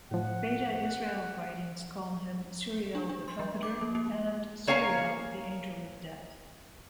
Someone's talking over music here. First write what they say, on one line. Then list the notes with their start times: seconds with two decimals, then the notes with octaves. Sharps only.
Beta Israel writings call him "Suriel the Trumpeter" and "Suriel, the Angel of Death".
0.11 A2 F3 F#5
2.95 D4
3.09 D4
3.28 C6
3.39 F3
3.63 D6
3.81 A#3
3.95 A#3
4.67 A#3 C#5 F5 G#5 A#5